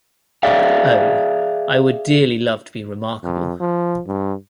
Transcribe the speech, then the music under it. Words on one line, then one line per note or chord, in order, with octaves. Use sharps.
Oh, I would dearly love to be remarkable.
G#4 D5 E5 F5
F2
F3
G2